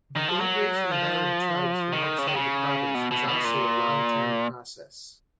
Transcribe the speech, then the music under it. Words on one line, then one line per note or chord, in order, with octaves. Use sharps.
The immigration of Arab tribes from outside the province was also a long-term process.
D#3
F3
F#3
F3
D#3
C#3
D#3
C#3
B2
B2
B2
A#2